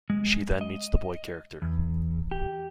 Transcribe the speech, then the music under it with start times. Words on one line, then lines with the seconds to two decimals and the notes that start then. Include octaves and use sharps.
She then meets the boy character.
0.10 G#3
0.61 D#5
1.62 E2
2.31 G4